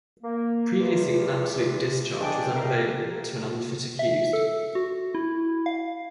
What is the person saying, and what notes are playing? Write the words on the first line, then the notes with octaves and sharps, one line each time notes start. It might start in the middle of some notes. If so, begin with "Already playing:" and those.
Previously an absolute discharge was unavailable to an unfit accused.
A#3
E2 F4 G4
G#3 D4 D5 G5
A#4 E5 F5 G5 A#5
E5
A4
F#4
E4
F5